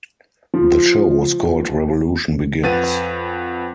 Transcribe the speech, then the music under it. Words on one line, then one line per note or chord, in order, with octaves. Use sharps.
The show was called "Revolution begins".
F3
F2 B4 F#5 A6 D#7